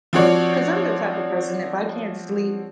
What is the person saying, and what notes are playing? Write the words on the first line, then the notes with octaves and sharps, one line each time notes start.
'cause I'm the type of person, if I can't sleep
F3 C4 F#4 C#5 D5